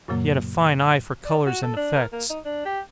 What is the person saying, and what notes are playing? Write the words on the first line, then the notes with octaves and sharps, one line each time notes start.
He had a fine eye for colors and effects.
F#2 A#2 C#3 F#3 A#3
D5
F#4
A4
D4
A#4
A#3
D#4
D4
G4